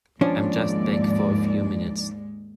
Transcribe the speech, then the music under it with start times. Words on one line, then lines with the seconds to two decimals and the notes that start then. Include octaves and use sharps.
I'm just back for a few minutes.
0.21 D#2 G#2 F3 G#3 C#4 D4 D5